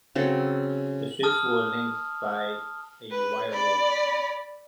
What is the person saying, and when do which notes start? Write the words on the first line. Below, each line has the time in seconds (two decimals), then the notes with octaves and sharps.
The ships were linked by a wire rope.
0.15 C#3 F#3 C4 A4
1.23 A5 D#6 F6
3.11 B4
3.52 D5 B5